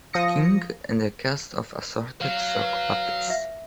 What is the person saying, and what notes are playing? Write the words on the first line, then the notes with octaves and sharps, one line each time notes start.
King and a cast of assorted sock puppets.
F3 D#6 A#6 C#7
F#3 F5
B4
E5